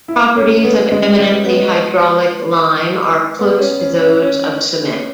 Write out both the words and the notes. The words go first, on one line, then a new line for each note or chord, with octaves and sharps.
Properties of eminently hydraulic lime are close to those of cement.
E4
C#4
B3
G#3
G#3
B3
B3
C#4
C#4
C#4
C#4